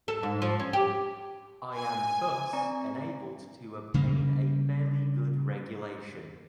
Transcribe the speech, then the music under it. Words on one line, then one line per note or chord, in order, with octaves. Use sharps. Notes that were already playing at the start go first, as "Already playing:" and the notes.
I am thus enabled to obtain a fairly good regulation.
A4
G#2
F3
C#4
G4
G#5
C4 D5 A#5
C#3 G3 G#3 A#3